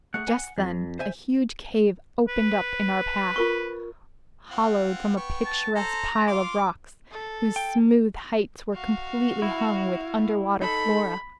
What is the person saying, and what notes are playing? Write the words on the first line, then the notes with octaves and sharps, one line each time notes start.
Just then a huge cave opened up in our path, hollowed from a picturesque pile of rocks whose smooth heights were completely hung with underwater flora.
A3 G#4 F#5
G#5
F2
C5 E5 G#5
B4
F4 A#4 C#6
C4 F4 F#5
B3 G5 C#6
A5
A4 C5 A#5
F4 F5 C6 D6
A4
G5
F#4 F5
E4
D#4 A4 B5